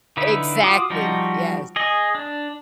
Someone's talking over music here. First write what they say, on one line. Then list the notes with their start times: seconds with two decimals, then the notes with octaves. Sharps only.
Exactly, yes.
0.17 D3 D#4 E4 B4
0.62 F4 F#4 D6 D#6
0.90 F3 G3 D#4 F#4
1.76 G#4 D#5
2.15 D4